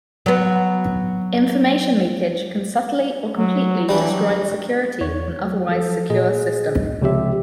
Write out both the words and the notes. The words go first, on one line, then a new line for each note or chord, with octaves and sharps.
Information leakage can subtly or completely destroy the security of an otherwise secure system.
F#3 B3
F#3
E3 G3 D4
F#3
E2 C#5
F#3
F3 A4
A#2 G#4 D#5
C#2 C3 F3 G4 E5